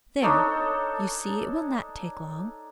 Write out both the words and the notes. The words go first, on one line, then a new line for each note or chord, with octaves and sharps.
"There, you see it will not take long."
D4 D#4 A4 C#5